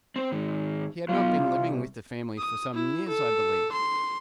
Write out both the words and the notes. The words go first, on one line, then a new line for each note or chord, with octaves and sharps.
"He had not been living with the family for some years, I believe?"
C4 C5
G#2 D#3
F#3 B3 F4
C2
D#6
E4
A4
C6